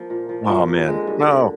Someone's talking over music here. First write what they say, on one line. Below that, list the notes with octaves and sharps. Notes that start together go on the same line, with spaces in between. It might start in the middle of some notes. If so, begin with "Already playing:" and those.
Aw, man. No.
Already playing: F3 A#3
A#2
F3
A#2 A#3
A#2
D3 G#3
G2
D3